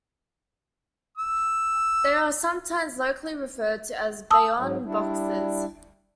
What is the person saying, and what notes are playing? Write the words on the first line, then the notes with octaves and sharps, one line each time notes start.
They are sometimes locally referred to as "Bayonne Boxes".
E6
A5 D#6 E6
G#2 F#3
G3 D4 E4